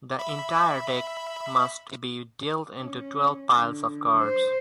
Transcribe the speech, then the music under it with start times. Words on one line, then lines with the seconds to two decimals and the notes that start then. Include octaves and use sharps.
The entire deck must be dealt into twelve piles of cards.
0.19 E5 B5
2.79 C#4
3.56 D3
4.18 C5